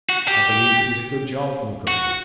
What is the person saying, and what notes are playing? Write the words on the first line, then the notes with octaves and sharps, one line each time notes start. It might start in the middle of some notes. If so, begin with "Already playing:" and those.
"I believe we did a good job, Mukoki!"
F#4
G4
F#4